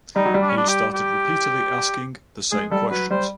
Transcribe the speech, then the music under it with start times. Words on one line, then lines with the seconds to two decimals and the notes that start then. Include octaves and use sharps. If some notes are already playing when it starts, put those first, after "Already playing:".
He started repeatedly asking the same questions.
0.16 G3 D#4
0.26 F#3
0.34 G3
0.42 D4
0.49 C#4
0.57 D4
0.69 G4
0.94 G4
2.52 G#3 G#4
2.71 G3 A4
2.91 F#3 B4
3.11 G3 C5